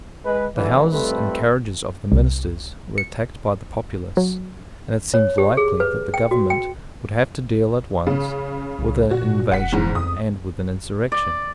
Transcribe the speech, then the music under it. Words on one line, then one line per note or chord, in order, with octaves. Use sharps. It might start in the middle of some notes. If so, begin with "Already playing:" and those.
The houses and carriages of the ministers were attacked by the populace; and it seemed likely that the government would have to deal at once with an invasion and with an insurrection.
G#3 B4
A1 G#2 D3 E3
F2 G3 A3 C4 A4 B4
C2
C#7
F#3
C#5
G4
G#4
B4
G5
F#4
G5
C#3
C2
A#2 F#4
E1 F#5 B6
E2 G#2
F2 D#6
D5